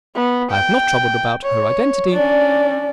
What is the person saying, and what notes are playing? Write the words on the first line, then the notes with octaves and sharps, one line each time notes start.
I have not troubled about her identity.
B3
G5
C#5
C#4 D4 D5